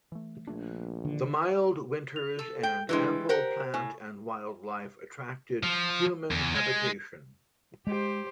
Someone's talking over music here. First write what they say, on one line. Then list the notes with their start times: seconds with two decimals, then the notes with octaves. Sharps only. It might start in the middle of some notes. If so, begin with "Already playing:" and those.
The mild winters, and ample plant and wildlife attracted human habitation.
0.12 E3 A3
0.47 A#1 F3 A3 D4
1.05 D3 D#3
2.16 F7
2.39 A4
2.63 G5 G6
2.89 E3 G3 G#3 D4 E4 B4
3.29 G4 A#4 C5 F#5
3.74 A2 G#5
5.63 F3
6.31 E2
6.54 G#3
7.87 G#3 G4 C5